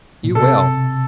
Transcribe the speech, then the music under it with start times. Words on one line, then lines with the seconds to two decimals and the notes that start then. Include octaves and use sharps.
You will.
0.24 A#2
0.35 C3 A4